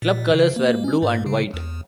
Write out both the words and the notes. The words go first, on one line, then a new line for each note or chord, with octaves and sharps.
Club colours were blue and white.
A#2
C#3
A#3
C#4
G#2
C#3
E2